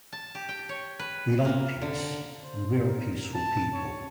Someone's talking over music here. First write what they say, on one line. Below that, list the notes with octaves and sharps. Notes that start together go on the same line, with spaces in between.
We like peace and we are a peaceful people.
A5
G4
G5
C#5
B4
A#3
D3
C5
A#4
A5
C#5